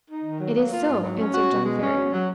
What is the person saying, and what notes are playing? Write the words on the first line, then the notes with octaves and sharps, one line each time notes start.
"It is so," answered John Ferrier.
D#4
D#3
F#3
A#3
F4
G#2
F#3
C#4
F#4
B2
G#3
C#4
F#3
F#3